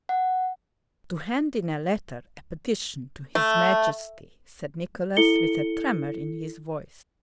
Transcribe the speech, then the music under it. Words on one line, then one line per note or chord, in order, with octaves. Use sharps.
"To hand in a letter, a petition, to His Majesty," said Nicholas, with a tremor in his voice.
F#5
A3
E4 A4 C#7 G7